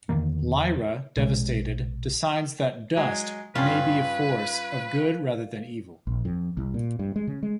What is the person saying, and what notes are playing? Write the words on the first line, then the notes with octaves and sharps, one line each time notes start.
Lyra, devastated, decides that Dust may be a force of good rather than evil.
E2 D3 D#3 A#3
A#1 B2 G#3
F#3 G#3 G#5
G2 C#4 F4 B4
A#1
F2
C2
A#2
G2
G#3
C#3
G#3